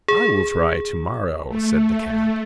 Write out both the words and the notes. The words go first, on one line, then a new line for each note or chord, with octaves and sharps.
"I will try to-morrow," said the cat.
G#4
A3